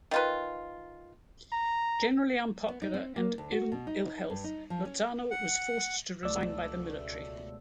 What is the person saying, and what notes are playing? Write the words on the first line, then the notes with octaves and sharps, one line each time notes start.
Generally unpopular, and in ill health, Lozano was forced to resign by the military.
D#3 F4 B4
A#5
B3
D#4
C4
A#3
D2
F#4
B2
D#4
G2
D#4
F3
C#4
F#5
C#2 B2 A3 D5 E6